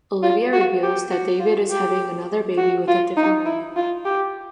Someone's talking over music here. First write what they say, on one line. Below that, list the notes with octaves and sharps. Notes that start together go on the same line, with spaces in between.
Olivia reveals that David is having another baby with a different woman.
F4
F#4
G4
F#4
F4
G4
F#4
F4
D#4
E4
F4
G4